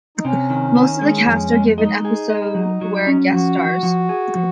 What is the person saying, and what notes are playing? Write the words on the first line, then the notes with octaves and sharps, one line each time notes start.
Most of the cast of a given episode were guest stars.
D#4
C3 C#4
D#3
D#3
G#3
F2
G#3
D#4 D#5
G#4
D#5
F#3
F#3
C#4
F3 F#4
F3
F3
G#4
F3